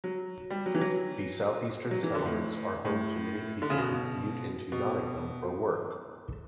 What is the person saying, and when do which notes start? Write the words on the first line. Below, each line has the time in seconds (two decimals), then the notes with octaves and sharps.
The south-eastern settlements are home to many people who commute into Nottingham for work.
0.04 F#3
0.50 G3
0.66 F#3
0.75 E3
0.81 F#3
1.91 F#3
2.03 E3
2.15 D3
2.26 A2
2.85 A2
3.62 D3
3.70 C#3
3.78 B2
4.72 B2